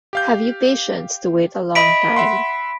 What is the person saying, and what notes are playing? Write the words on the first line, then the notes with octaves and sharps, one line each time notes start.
Have you patience to wait a long time?
G4 F5 G6
D#5 E5 B5 B6 D7
E5 F#5 C6